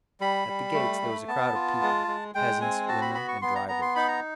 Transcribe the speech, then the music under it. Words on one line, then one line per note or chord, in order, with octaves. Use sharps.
At the gates there was a crowd of people, peasants, women and drivers.
G3 B5
G3
A3
A3
B3 A5
F4
G#3
G#3
G#3 G5
C4 G#5
F#4 A5
B5
B3 B5
C#6
B3 C6
A#5
B3 A#5
C6
D#4 B5
A#5